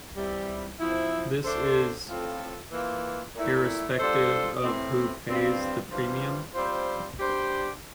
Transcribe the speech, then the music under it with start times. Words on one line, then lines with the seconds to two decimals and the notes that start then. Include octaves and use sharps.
This is irrespective of who pays the premium.
0.16 C3 E3 G3
0.80 F3 C4 E4
1.43 D3 A3 D4 A4 C5
2.07 A2 F3 C4 F4 A4
2.71 E3 A#3 F4
3.36 A#2 A3 E4
3.98 G3 D4 F4 A4 C5
4.63 A2 E3 A3 C4
5.27 G2 F3 C4 F4
5.90 E3 G3 D4 F4 C5
6.54 G3 C4 F4 C5
7.18 G3 D4 G4 C5